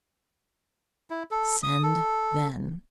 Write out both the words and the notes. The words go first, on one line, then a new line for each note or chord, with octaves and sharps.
"Send then."
E4
A4
D#6
A4